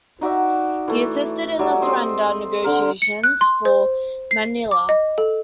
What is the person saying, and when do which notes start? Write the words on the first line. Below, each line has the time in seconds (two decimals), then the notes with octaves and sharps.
He assisted in the surrender negotiations for Manila.
0.21 D#4 F#4 D5 E5
0.88 E3 A3
1.59 F#3 G3
1.82 C4 C5 D#5
2.64 D3 A#4
3.02 C#7
3.23 F#6
3.41 C6
3.65 C5
4.31 C7
4.71 D6
4.89 D#5
5.18 A4